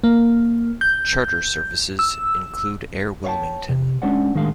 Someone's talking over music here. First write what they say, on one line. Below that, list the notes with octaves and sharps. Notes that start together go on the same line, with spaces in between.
Charter services include Air Wilmington.
A#3
G6
E6
C#5 E5 F5 G5 A5
C3
G#3 C#4 D4 C5 D5 F#5
A2 D#3 G#3 D4 F5